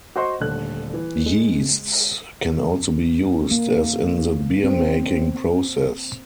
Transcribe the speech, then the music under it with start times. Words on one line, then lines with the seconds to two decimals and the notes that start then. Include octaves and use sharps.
Yeasts can also be used, as in the beer-making process.
0.16 F#4 C5 D#5 F#5 C6 C#6
0.40 D#1 D3 A3 F#6
0.93 E3
1.26 G#3
3.51 A#3
4.64 C4